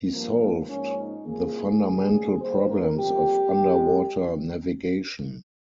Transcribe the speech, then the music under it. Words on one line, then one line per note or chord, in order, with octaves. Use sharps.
He solved the fundamental problems of underwater navigation.
G2 F3 A#3
G#2 F3 A#3 C#4
D#4
C2 A#2 F3 A#3 G#4
D#2 C#3 G3 A#3
D#2 D#3 G3 A#3 C5
A#4
F2 C3 G3 A#3 G4
D#2 C#3 G#3